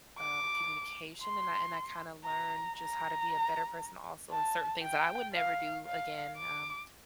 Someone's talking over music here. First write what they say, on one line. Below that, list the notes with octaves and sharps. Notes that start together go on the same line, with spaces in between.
um, communication, and I and I kinda learned just how to be a better person also, and certain things that I would never do again, um,
D6
C6
A#5
A#5
A5
G5
F5
F5
D6